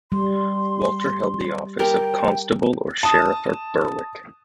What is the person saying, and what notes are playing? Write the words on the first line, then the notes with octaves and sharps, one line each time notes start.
Walter held the office of Constable or Sheriff of Berwick.
G3 C6
G4 A#4 G5
A5 D#6